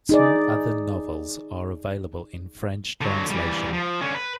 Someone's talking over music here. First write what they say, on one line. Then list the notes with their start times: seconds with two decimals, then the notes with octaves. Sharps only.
Two other novels are available in French translation.
0.09 D#4 G#4 D5
3.01 D3 F#3
3.30 E3 G3
3.73 F3
4.01 D3 C#4
4.15 B4